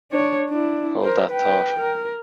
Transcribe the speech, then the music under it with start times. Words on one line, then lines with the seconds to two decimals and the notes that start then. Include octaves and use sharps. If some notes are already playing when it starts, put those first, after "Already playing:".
Hold that thought.
0.11 D4 C#5
0.49 D4 E4
1.02 A#4 C5
1.30 B4 G5
1.80 A#4